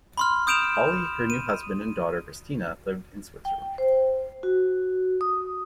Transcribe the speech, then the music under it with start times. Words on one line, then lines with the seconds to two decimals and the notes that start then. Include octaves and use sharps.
Holly, her new husband and daughter Christina lived in Switzerland.
0.18 B5 C6 F6
0.47 D#6 G6 D7 E7 F7
1.30 D#7
3.45 G5
3.78 C5
4.43 F#4
5.21 D#6